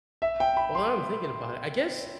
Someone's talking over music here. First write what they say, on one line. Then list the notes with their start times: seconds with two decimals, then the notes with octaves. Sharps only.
well now that I'm thinking about it, I guess,
0.22 E5
0.40 G5
0.57 B5
0.75 C6